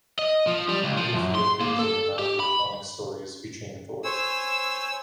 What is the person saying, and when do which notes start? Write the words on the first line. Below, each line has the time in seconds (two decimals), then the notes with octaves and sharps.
Laufey appears in the Marvel Comics stories featuring Thor.
0.19 D#5
0.47 F3
0.69 G3
0.84 C#2
0.97 F3
1.14 F#2
1.35 C6
1.61 A#3
1.79 A4
2.19 G4
2.40 B5
4.05 C5 C#5 G#5 E6